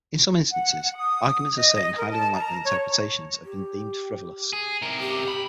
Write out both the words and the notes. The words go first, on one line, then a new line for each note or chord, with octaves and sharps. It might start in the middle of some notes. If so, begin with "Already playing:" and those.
In some instances, arguments asserting highly unlikely interpretations have been deemed frivolous.
F#5
D#6
D#5
D#5
A#4
A5
A#5
C#5
G4
G#4
C3 A#4
G4
B5